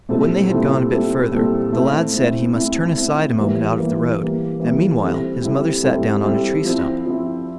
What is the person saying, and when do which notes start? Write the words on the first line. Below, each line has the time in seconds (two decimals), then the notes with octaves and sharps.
But when they had gone a bit further, the lad said he must turn aside a moment out of the road, and meanwhile his mother sat down on a tree-stump.
0.09 A#2 G3 C4 E4 A4
0.50 A#2 G3 C4 E4 A4
0.91 A#2 G3 C4 E4 A4
1.32 A#2 G3 C4 E4 A4
1.73 A3 C4 E4
2.13 A3 C4 E4
2.55 A3 C4 E4
2.95 A3 C4 E4
3.37 E3 G3 A#3
3.78 E3 G3 A#3
4.19 E3 G3 A#3
4.60 E3 G3 A#3
5.01 G3 C4 E4 A4
5.42 G3 C4 E4 A4
5.83 G3 C4 E4 A4
6.24 G3 C4 E4 A4
6.65 F3 C4 E4
7.06 F3 C4 E4